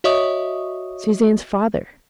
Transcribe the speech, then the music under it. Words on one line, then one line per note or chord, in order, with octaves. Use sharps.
Suzanne's father!
F#4 C#5 D#5 E5 C#6 D#6